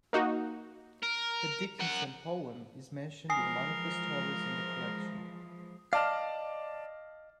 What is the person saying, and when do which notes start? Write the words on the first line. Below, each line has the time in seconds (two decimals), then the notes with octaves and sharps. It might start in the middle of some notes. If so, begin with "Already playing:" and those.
The Dickinson poem is mentioned in one of the stories in the collection.
0.13 A#3 D#4 F#4
1.03 A#4
1.80 A#4 F#5
3.30 E3 F3 G#3 A#4 G#5 D#6 C7
5.93 D5 D#5 F5 A5 F6